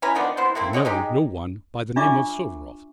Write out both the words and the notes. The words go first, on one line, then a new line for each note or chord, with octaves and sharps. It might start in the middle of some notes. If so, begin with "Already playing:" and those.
I know no one by the name of Souvaroff.
C#4 E4 B4 A#5
D#3 F3 B3 D4
C3 B3 E4 C5
A3 A#3 C4 E4
B2 C#5 D#5 C#6
G#3 D#4 G4
D4 F4 E5 C#6 D6